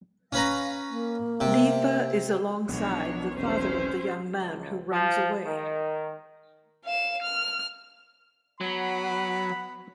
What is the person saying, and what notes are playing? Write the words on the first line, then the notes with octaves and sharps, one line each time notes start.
Lefa is alongside the father of the young man who runs away.
C#4 B4 F5 A#5
A#3
C3
B1 B2 D#3 F3 B3 D4 C#5
E1 C4 C#4 C5
C#2
F3
D#3
F5 E7
F6
F#3 B3 F#5 B5